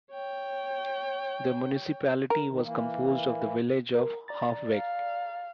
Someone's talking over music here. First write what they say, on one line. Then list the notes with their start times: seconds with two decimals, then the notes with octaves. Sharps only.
The municipality was composed of the village of Halfweg.
0.11 C#5 G5
2.30 A#4
2.49 G#2 D#3
2.64 E3 A#3
3.95 A#4
4.28 D5 A#5 A6
4.73 F5